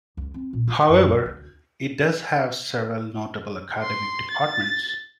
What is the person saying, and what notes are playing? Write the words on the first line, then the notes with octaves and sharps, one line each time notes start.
However, it does have several notable academic departments.
C#2
C4
A#2
F4
F#2
G3
D2
C6
A6